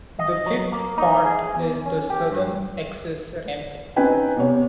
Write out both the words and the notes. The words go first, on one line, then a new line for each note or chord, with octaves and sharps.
The fifth part is the southern access ramp.
D#5
F#3
A#3
D#4
G#4
E2
C#4
G4
G2
C4 C#4 D#4 B4 G5 G#5
C3 B3 C#5